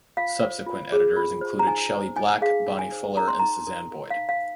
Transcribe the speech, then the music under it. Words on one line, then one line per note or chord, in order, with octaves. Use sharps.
Subsequent editors included Shelley Black, Bonnie Fuller, and Suzanne Boyd.
F4 F5
C5
F4
G#4
F4
C5
A#5
D#4 G#5
C5
D#4 G#5
G#4 F5
D#4
G#5
C5
D#4 A#5
C6
D#4 A#5
A#4
A#4
F5
D#4
F5